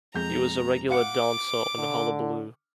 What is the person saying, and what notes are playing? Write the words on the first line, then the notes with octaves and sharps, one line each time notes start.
He was a regular dancer on "Hullabaloo".
F2 G#3 A#5 G6
F5 F#5 D6 C#7
D3